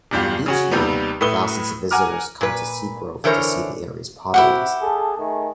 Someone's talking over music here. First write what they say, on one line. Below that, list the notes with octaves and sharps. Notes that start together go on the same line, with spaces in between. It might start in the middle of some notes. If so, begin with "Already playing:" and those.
Each year, thousands of visitors come to Seagrove to see the area's potteries.
D1 E2 G2 F4 G4 F5
C#3 C#4 F#4
D#2 C3 D#3 G3 B3
A2 A3 B4 D#6 G7
F#5 G#5 A#5 D6 F6
A#2 B4
D3 E3 A#4 C5 C#5
C3 E4 F#4 G4 F#5
G#4 A4
D#3 A3 G#4